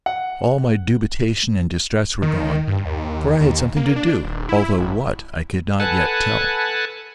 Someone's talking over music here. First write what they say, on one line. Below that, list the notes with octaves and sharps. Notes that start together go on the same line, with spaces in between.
All my dubitation and distress were gone, for I had something to do, although what I could not yet tell.
F#5
D#3
G2
D#2
D#2
A#3
D4
D#1
E4
G#1
A4 B4 F#5 G#5 A5